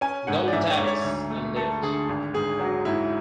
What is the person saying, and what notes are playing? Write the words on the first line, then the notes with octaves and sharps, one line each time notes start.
Noel Davis and Lieut.
C#4 G#5
G#2 F#5
D5
G#2 E5
C#5
G#2
C#5
D2
A3
A3 A4
D3 G#4
G#1
G#2 G#4
F#3 F#4
G#2 E4